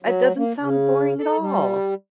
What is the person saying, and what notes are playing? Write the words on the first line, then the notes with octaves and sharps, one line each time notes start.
It doesn't sound boring at all.
F#3
A#3
C#3
A4
G3